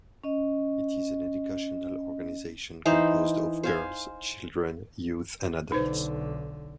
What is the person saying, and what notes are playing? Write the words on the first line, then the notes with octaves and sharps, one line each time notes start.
It is an educational organization composed of girls, children, youth and adults.
C#4 D#5
E3 D#4 C5 F5
C5 F5 G#5
B1 D3 D#4 B4 C5